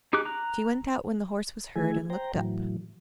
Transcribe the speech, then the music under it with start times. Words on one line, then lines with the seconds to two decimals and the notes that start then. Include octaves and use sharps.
She went out when the horse was heard, and looked up.
0.13 D#4 G4 G#4 D6 F#6
0.25 A#5 F#6
1.76 D#3 A3 E4 G#4 G#5
2.10 C5 G5 A#5
2.36 A2 E3 F#3